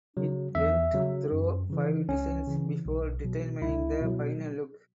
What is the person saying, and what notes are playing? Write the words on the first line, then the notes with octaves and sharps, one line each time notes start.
It went through five designs before determining the final look.
C#3 F#3
E2 E5
C#3 F#3
F#2
C#3 E3
C#2 C#4
C#3 E3
B1
B2 F#3
C#2 E4
B2 F#3